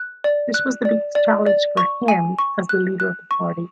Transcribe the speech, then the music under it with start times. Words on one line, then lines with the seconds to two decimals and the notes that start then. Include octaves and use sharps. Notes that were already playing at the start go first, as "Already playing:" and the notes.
This was the biggest challenge for him as the leader of the party.
Already playing: F#6
0.24 D5
0.54 F#6
0.85 D5
1.15 D5
1.47 D5
1.77 C#6
2.08 G#5
2.39 C#6
2.69 F#6
3.00 F#6
3.31 C#6